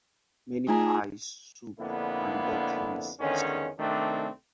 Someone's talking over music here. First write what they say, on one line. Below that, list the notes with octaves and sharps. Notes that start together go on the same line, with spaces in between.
Many pies, soup and dumplings is cooked.
A3 D#4 F4 G#4 A#5
F2 D3 A#3 B3 D4 E4
E2 D3 D#3 G#3 C#4
C2 D#3 A3 C4 D4